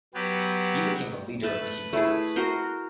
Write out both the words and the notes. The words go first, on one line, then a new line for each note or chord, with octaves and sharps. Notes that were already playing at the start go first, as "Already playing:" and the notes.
He became a leader of the Huguenots.
F#3 B3 G4
A3 B4 A5
A3 E4 G#4
F#4 A#4 C5